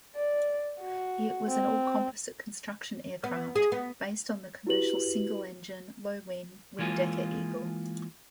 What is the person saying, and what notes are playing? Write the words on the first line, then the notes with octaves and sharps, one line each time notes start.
It was an all-composite construction aircraft, based on the commercial single-engine, low-wing Windecker Eagle.
D5
F#4
C4
B3
G#4
B3
E4 F#4 G4 B4 F#7
E3 G#3 A#3 F4 G#4